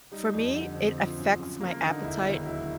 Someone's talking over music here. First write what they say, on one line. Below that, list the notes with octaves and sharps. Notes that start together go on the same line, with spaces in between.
For me, it affects my appetite.
G3 D#4
F2
D3
C4
F3
F#2
C#3
A#3
D3 D#4
E1 E4
D#2 E4
F#3 E4